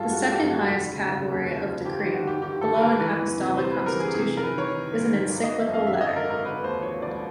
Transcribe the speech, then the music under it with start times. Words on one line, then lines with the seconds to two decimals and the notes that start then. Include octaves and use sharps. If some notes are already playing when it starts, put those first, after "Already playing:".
The second highest category of decree, below an apostolic constitution, is an encyclical letter.
Already playing: A1 G2 G#3 F4 A4
0.12 G#3 F#4
0.32 G2 G4
0.50 D#3 F#4
0.70 F1
0.89 C#3
1.08 C#3
1.27 D#2
1.46 D#2
1.65 F3
1.85 G1 G4
1.99 D#3 G4
2.14 F#4
2.23 D#3 G4
2.42 D#3 G4
2.61 G1 A4
2.74 B4
2.80 G1 A#4
2.99 E3 B4
3.19 E2
3.38 C3
3.57 G3 C5
3.71 G3 B4
3.86 A#4
3.96 E3 G#4
4.14 C3 G#4
4.34 C3 A#4
4.43 B4
4.53 D#3
4.58 C#5
4.72 D#3
4.91 G1
5.10 D#3
5.29 G#1
5.43 D#5
5.49 G#1
5.58 E5
5.68 F#2
5.73 F5
5.87 G#1 E5
6.01 D#5
6.07 D3
6.16 A#4
6.25 G#1
6.30 A#4
6.44 D3 B4
6.64 D#2 C5
6.82 F3 C#5
7.02 E1 D5